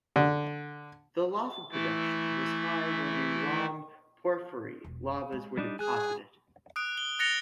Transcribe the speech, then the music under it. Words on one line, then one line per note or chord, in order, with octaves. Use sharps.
The lava production was high when the rhomb porphyry lavas were deposited.
D3
E3 A3 E4
E1 B1
G#3
G3 D4 D#4
G#3 G#4 G#5 F#6
D#6 F#6 D7
G7
F#6 A6 A#6 C#7 F7 G7